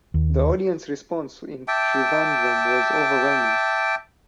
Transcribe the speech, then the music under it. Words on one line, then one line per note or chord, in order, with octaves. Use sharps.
The audience response in Trivandrum was overwhelming.
D#2
E5 G5 A5 D6